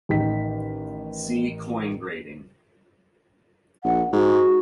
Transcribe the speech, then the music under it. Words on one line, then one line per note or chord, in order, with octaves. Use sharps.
See coin grading.
A1 D#3 B6
A#1 F#5
G#2 F#4